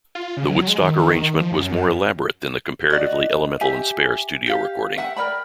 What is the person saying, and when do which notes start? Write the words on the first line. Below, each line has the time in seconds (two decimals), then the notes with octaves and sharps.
The Woodstock arrangement was more elaborate than the comparatively elemental and spare studio recording.
0.15 F4
0.37 C#3
0.50 F#3
0.67 G#3
0.81 D#3
1.40 F3
1.52 F#2
2.90 F#4 D5 D#5
3.61 G4 E5 G#5
4.47 G4 F5
4.98 E5 F#5 G5
5.16 A#4 D5 G5 B5